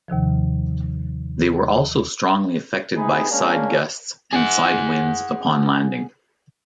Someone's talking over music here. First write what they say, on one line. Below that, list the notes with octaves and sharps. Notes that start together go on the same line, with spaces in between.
They were also strongly affected by side gusts and side winds upon landing.
D#2 C3 D#3 F3
C3 D#4 G#4 B4
G#3 A#3 C#4 D4
G#4 F#5